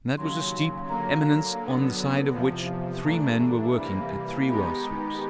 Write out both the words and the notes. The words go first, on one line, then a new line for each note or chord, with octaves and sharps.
That was a steep eminence on the side of which three men were working at three well-sweeps.
D#2 C#3 F#3 C6
D3 F#3 A#3 A#5
D3 F#3 B3
E2 C3 F3
G2 E3 A3 D4 A#5
C3 E3 G3 A#3 B5
D#3 G#3 B3 D#4 G4 B5
A#5
B5